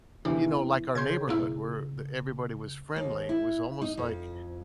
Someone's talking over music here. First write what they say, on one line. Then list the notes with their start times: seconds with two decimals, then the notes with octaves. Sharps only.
you know, like our neighborhood where the everybody was friendly, it was almost like
0.25 E2 C3 E3 D4 G4
0.95 C#3 C6 G6 G#6
1.28 B2 A#3 E4
2.96 D#2
3.29 E4
3.82 D#4
3.97 F2